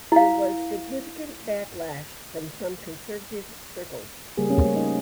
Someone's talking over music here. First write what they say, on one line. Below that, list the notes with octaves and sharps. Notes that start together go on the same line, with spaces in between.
There was significant backlash from some conservative circles.
E4 F5
C#3 G3 A#3 G#4
A3 A#3 C#4
G3 C5
D#4 D#5